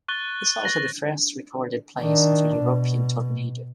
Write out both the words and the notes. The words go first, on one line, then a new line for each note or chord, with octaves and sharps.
It's also the first recorded place of a European tornado.
C#6 F#6 A6 G7
A#6 F#7 G7
D#3 D4
B2